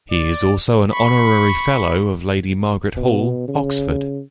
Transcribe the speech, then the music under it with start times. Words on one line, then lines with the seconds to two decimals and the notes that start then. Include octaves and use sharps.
He is also an Honorary Fellow of Lady Margaret Hall, Oxford.
0.11 D5
0.91 B5 C#6
2.97 B2
3.48 C#3